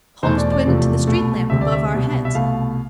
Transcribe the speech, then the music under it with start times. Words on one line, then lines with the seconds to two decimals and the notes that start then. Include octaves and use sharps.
Holmes pointed to the street lamp above our heads.
0.23 E2 B2 A3 C5
0.37 D5
0.52 D5
0.65 F1 E2 C3 F3 A3
1.07 C2 B2 A3
1.50 D2 C3 G3 E5
1.61 D5
1.72 E5
1.93 C2 B2 G3
2.25 E5
2.35 C2 B2 A3 F5